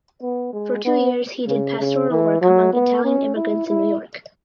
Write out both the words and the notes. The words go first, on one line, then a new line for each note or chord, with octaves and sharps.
For two years he did pastoral work among Italian immigrants in New York.
B3
G#3
B3
C#3
C#3
E3
F#3
B3
C#4
E4
E4